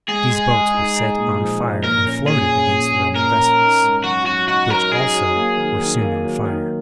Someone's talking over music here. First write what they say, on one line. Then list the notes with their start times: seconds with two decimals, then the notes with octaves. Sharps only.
These boats were set on fire and floated against the Roman vessels, which also were soon on fire.
0.08 G#3 G#4
0.30 G#3
0.52 G#3
0.74 D#4
0.96 D#4
1.18 A#2
1.40 F3
1.63 F3
1.84 A#2 A#4
2.06 C#4
2.27 A#2 G#4
2.50 C#4
2.72 A#2
2.94 C#4
3.16 A#2 A#4
3.38 C#4
3.60 D#4
3.82 G#2
4.04 F#3 F#4
4.26 F#3 F#4
4.48 D#4 F#4
4.70 F#3 A#4
4.92 D#4 G#4
5.14 F#3
5.36 A#3
5.57 D#3
5.79 D#3
6.02 A#3
6.24 F#3
6.46 D#3